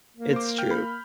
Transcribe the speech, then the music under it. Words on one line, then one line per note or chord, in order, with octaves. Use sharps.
It's true.
A#3
C5 D6
G5 F6 G6
B5